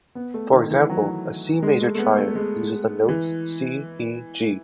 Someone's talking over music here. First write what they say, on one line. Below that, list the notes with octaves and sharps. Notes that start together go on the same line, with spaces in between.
For example, a C major triad uses the notes C-E-G.
B3
A3
D#3
E3
F#3
G#3
A3
A3
B3
A3
G#3
E3